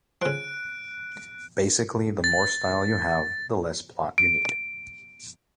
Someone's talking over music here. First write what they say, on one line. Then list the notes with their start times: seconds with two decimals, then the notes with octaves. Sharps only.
Basically, the more style you have, the less plot you need.
0.22 C#3 F3 F#6 D7
2.24 A6
4.18 D7